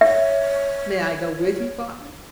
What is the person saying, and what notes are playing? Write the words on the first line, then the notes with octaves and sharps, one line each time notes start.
"May I go with you, father?"
C#5 E5